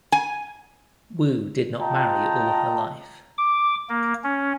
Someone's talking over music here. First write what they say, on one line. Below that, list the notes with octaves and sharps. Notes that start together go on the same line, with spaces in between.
Wu did not marry all her life.
G#5
F4 D#5 G5 A5 A#5
D6
A#3
C#4